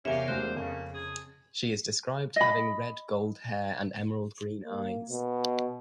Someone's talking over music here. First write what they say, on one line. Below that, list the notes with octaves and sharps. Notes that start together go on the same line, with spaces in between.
She is described having red-gold hair and emerald green eyes.
E2 C3 C#4 G4 A#4 E5 F5 G#5
E1 E2 A2 C5 F#6
F2 C#3 A#3
G#4
D#5 B5
A#3
B2